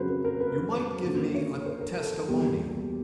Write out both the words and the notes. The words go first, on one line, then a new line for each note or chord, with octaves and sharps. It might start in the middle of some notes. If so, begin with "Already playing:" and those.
"You might give me a testimonial."
Already playing: F2 C#3 F#3 B4 C5
A#4
A#4
B4
C5
F#2 D3 F#3 A#3
C#5
C5
A#4
A4
E2 B2 G3 A#3 G4